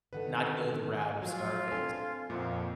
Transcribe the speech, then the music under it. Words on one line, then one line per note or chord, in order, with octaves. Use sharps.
Not go the route of Scarface.
D3 D#3 A4 B4 F#5
F3 F#3 F4
C4 D4 A4 G#5 C6
F2 A#2 F4 E5 F#5